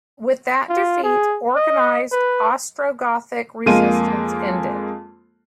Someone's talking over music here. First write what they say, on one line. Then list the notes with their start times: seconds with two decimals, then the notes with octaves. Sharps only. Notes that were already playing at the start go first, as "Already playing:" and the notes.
With that defeat, organized Ostrogothic resistance ended.
0.69 F4
1.03 G#4
1.56 D#5
2.11 B4
3.66 F2 G#3 A#3 D#7